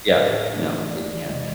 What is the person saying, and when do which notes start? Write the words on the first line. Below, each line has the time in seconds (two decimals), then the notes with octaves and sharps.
Yeah. No. It can't.
0.15 A2 A#4
0.54 E3 A3 D4
0.91 E2 D5
1.29 C3 E3 G#3 D#5